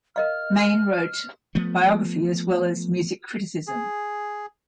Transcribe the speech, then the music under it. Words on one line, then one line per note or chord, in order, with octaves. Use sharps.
Maine wrote biography as well as music criticism.
A#4 D#5 F5 F6
F3 A3 B3
G#4